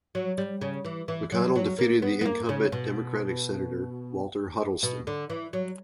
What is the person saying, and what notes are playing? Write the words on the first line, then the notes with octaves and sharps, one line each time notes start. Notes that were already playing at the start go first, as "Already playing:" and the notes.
McConnell defeated the incumbent Democratic senator, Walter Huddleston.
F#3
G3
C#3
E3
E3
F#3
F#3
A#3
B3
B3
A#3
C#3
B2
B2
D3
E3
F#3